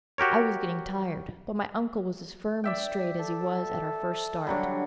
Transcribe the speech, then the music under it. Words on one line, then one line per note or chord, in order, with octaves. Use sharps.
I was getting tired; but my uncle was as firm and straight as he was at our first start.
F#4 G4 A#4 C#5
D5 E5 G5
A4
D3 F#3 G3